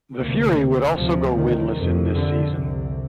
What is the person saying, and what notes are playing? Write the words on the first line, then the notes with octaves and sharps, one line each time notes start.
The Fury would also go winless in this season.
D2 C3 A#3
D2 C3 F3
D#3
F2 C3
D3
C2 C3